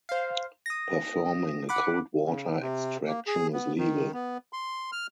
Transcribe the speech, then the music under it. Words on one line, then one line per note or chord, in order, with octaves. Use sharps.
Performing a cold water extraction is legal.
C5 F5
D#6 A#6
F#5 B5 D6
C#3
C3
A#3
G#4
B3
D#3
B3
C6
F6